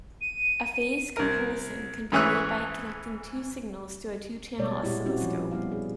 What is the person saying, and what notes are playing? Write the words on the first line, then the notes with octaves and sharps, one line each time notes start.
A phase comparison can be made by connecting two signals to a two-channel oscilloscope.
D#7
C2 A#4
G#2 E3 C#4 G#4 E5 F#6
B2 G3 G#3 C#5 D5
A#2 E4 F#4 G4
C4 C#4 E4 F#4 G4
F3
G3 B3 E4 F5
G#4